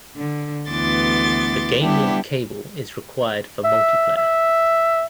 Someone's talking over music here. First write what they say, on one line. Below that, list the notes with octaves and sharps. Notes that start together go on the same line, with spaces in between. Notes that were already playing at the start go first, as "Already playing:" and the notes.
The Game Link Cable is required for multiplayer.
D3
D2 E3 B3 C6 D6 A6
G3 B3 D4 E4 G4
E5
E5